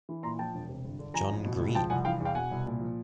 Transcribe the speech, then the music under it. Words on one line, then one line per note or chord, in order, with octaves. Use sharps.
John Greene.
E3
A#2 A#5 C6
F3 G5 A5
E1
C3
G1
D3
F3 G#5 A#5
A1
B2
C#2
F3 G5 A5
C2 F#5 G#5
E3 F5 G5
E2 F5 G5
B2 F#5 G#5
C2
A#2
F3